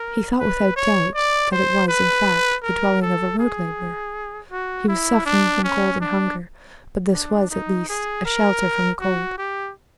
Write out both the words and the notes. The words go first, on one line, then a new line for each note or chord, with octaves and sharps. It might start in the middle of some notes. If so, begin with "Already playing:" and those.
He thought without doubt, that it was, in fact, the dwelling of a road-laborer; he was suffering from cold and hunger, but this was, at least, a shelter from the cold.
Already playing: A#4
B4
C#5
D5
C5
B4
A#4
A4
G#4
F#4
E4
D4
C#4
D4
D4
D#4
G#4
A#4
F#4
G4